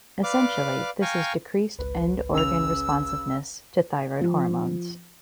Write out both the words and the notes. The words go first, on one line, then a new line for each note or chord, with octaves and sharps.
Essentially this is decreased end organ responsiveness to thyroid hormones.
B4 D5 F5 D6
F5 G5 G#5 A#5 C#6
G#1 C#2 B4
C#3 E6 F7
F3